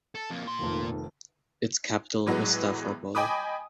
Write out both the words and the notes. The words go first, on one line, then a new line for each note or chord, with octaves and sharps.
Its capital was Stavropol.
A4
F2 A#3
A#2 C6
F1 F2 D#3
E2 A2 F#3 G#3 B3
D#5 G5 G#5 B5 D6 D#6